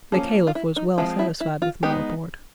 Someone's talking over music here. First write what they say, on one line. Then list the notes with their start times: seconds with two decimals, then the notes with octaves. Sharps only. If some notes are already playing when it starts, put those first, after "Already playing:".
The Caliph was well satisfied with my report.
0.12 F3 A#3 C#4 G#4
0.47 F4
0.55 E4
0.76 D#4
0.98 F3 G#3 C4 E4
1.19 E4
1.40 E4
1.62 F4
1.83 G#3 B3 D#4 G4